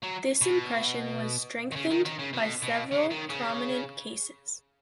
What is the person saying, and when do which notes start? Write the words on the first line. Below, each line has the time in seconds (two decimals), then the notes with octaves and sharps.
This impression was strengthened by several prominent cases.
0.03 F#3
0.41 B2
1.72 D#3
1.76 C#3
1.90 D#3
2.05 D#3
2.19 C#3
2.33 B2
2.62 B2
2.91 C#3
3.10 D#3
3.29 C#3